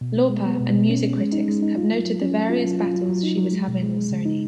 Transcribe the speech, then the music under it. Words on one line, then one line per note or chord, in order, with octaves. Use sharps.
Lauper, and music critics, have noted the various battles she was having with Sony.
B2
B3
G#3
B3
B2
B2
C#4
C#4
G#3
D#4
G#3
D#4
F4
F#3
F#3
C#4
F#3
F4
F#3
F4
F#3
F#3
D#4
F#3
G#3
B2
G#3
G#3
C#3
D#4